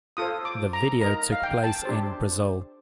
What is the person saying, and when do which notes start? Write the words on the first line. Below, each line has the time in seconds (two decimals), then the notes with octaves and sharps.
The video took place in Brazil.
0.17 F4 A4 C5 D#6
0.45 D6
0.73 A#5
1.01 D#4 A#4 A#5
1.32 F5
1.44 G5
1.64 A5
1.85 D4 G4 C5